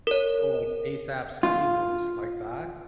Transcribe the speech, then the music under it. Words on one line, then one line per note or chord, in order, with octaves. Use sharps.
Oh, like Aesop's fables, like that?
A#4 C#5
F4